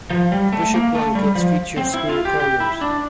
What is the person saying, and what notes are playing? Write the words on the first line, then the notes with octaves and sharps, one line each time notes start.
The Bishop blankets featured square corners.
F3
G3
A3
A#3
A3
G3
F3
C4
E4
F4
G4
G4
E4
D4